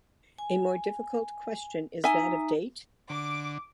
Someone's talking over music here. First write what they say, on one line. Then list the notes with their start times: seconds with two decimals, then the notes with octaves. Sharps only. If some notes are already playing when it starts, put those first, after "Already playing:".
A more difficult question is that of date.
0.38 G#5
2.04 D#4 E5 G#5 A#5
3.10 D3 D6